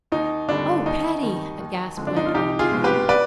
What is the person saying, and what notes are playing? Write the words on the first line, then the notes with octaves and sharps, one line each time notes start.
"Oh, Patty!" a gasp went around the room.
D#2 D#4
D3 G3 D4
D#2 D#4
D#3 G3
D#2
D3 F3 G#3
D4
D#4
F4
C2 D#4 G4
F4 G#4
B2 G#3
G4 B4
B4 D5